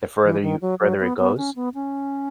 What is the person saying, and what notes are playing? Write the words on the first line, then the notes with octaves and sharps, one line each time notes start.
the further you further it goes,
E3
D#3
F#3
F#3
B3
B3
C#4
B3
C#4